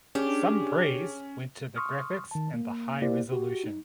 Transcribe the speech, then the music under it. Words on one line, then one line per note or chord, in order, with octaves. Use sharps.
Some praise went to the graphics and the high resolution.
C#4 D4 G4 G#4 D6
C6 C#6 D#6 F6
D#3 A5
A#3
A#3 E4 G4 C5 D5
F#4 G4
D#4